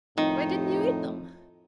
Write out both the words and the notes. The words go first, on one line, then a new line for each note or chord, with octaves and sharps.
"Why didn't you eat them?"
F2 A2 D#3 D#4